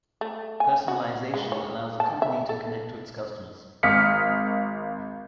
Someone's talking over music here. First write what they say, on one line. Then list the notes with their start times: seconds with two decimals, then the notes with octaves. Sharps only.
Personalization allows a company to connect to its customers.
0.21 A3
0.60 G#5
0.88 F#4
1.34 G#3
1.52 C#5
2.00 A5
2.22 E5
2.49 A4
3.83 G#1 F5 D#6 F6 B6 C#7